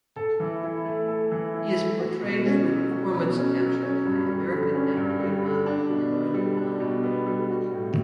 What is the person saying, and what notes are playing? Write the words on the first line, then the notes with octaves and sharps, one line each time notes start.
He is portrayed through performance capture by American actor and model Cameron Monaghan.
A4
E3
E4
A3
A4
E3
E4
A3
F#4
B2
C#4
F#3
F#4
B2
C#4
F#3
C#4
G2
G3
D3
C#4
G2
G3
D3
D4
B2
B3
G3
D4
B2
B3
G3
F#4
A2